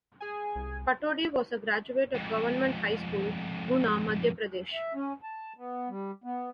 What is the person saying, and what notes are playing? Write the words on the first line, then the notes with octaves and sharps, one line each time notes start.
Patodi was a graduate of Government High School, Guna, Madhya Pradesh.
G#4 G#5
C2
F2 G#2
E5
C#4
A5
B3
G3
B3